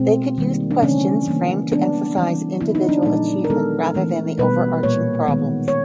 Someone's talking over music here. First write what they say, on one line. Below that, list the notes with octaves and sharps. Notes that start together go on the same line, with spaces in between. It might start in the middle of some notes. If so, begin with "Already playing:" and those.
They could use questions framed to emphasize individual achievement rather than the overarching problems.
Already playing: B2 G#3 C4
D#3 G3 A#3
D4
C#3 E3 A3 C4 C#4
E3 G3 A#3
E3 G#3 B3 D4
E3 G3 C4
D3 F#3 B3 E4
D#4
D4
A#2 F3 G#3 B3 D#4
A#4
D#3 G#3 B3 A4
E3 A3 C4
B2 G3 B3 B4
A#2 G3 A#3 C#5
D#3 G#3 B3
C#5